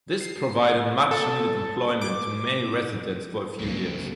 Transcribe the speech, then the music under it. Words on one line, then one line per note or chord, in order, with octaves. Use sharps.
This provided much needed employment to many residents for a few years.
C7
A4
D6
C#2 F#2 A#2 C#3 A#3